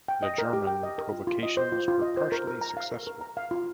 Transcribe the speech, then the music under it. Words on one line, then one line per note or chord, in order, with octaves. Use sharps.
The German provocations were partially successful.
G5
D#5
A#4
G4
G5
D#5
A#4
F4
F4
D#5
C5
F4
F4
D#5
C5
A#4
A#4
A#5
F5
A#4
A#4
A#5
F5
F4